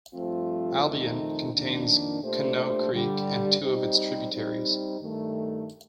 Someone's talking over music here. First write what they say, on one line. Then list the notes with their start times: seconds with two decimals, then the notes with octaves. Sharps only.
Albion contains Conneaut Creek and two of its tributaries.
0.13 G2 F3 A3 C4 F4
0.83 F2 D#3 A3 C4 D#4
1.52 F2 D#3 A#3 D4
2.22 A#2 A3 D4 G4 C5
2.91 G2 D3 G3
3.60 G3 C4 D#4 G4 C5
4.31 G3 C4 D#4
5.00 G2 D#3 A3